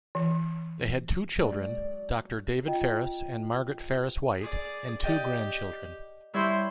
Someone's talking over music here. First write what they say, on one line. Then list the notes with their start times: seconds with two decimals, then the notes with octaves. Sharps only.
They had two children, Doctor David Ferriss and Margaret Ferriss White, and two grandchildren.
0.15 E3
1.40 F#3 G#3 F#4 D5
2.68 F4 D#5 G5
4.41 G#4 D5
5.03 G4 D5 D#5 G5
6.34 G3 E4 C5 C#5